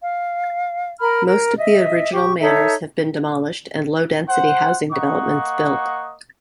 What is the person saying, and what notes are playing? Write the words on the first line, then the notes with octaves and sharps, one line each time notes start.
Most of the original manors have been demolished and low density housing developments built.
F5
A#4 A#5 B5 F6
A#4
D#5 E5
G4 C#6
D#4 A4 C#5 E5
C5 F#5
A#3 D#5 F#5 C#6